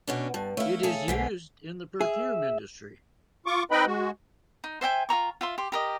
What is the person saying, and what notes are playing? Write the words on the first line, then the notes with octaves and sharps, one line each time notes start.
It is used in the perfume industry.
B2 C#4 D4
G2 A5
A3 E4 C#5 E5 F5
G#4 A4
B1 E2 G#2 D3 B6 C7
G#4 E5
F4 C#6 D6
C4 D#4 B4 D#5 G5 B5
G#3 F#4
D#4
C5 E5 G5 G#5
F4 A4 A#5 C#6
F4 E5 C6
G4 C6
G4 A#4 D#5